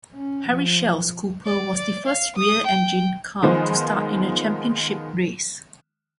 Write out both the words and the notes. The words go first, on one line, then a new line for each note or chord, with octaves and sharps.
Harry Schell's Cooper was the first rear-engined car to start in a championship race.
C#4
F3
D5
D5
F5
D#6
G5
D#3 F3 G#3 B3 C5